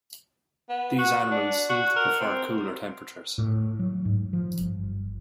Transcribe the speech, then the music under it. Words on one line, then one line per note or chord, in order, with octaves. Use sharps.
These animals seem to prefer cooler temperatures.
B3
F#4
D4
F#4
A#4
C4
A2
F#3
G#2
F3
G1